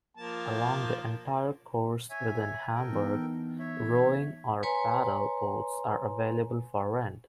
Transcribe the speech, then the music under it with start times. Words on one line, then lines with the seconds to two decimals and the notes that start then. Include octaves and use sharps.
Along the entire course within Hamburg, rowing or paddle boats are available for rent.
0.17 F3 A#3 A5
2.10 C#5 E5 G#5
2.75 A4 A#4 G5
2.92 E3 B3 D#4
3.59 C#5 E5
4.63 B4 C#5 G#5 A#5 C6